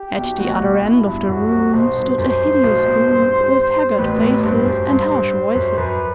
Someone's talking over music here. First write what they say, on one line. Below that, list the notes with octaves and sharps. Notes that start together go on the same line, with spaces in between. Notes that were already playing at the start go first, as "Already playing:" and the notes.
At the other end of the room stood a hideous group with haggard faces and harsh voices.
Already playing: G4
B1 B2
A1 A2 F#4
B1 B2
B1 B2 E4
G2
F#2 F#4
C2 C3
B1 B2 C5
G2
F#2 C5
G2
B1 B2
A2
B1 B2
G2
A1 A2 B4
B2
A1 A2
G2 C5
F#2
G2 C5
G2
F#2
F#2 B4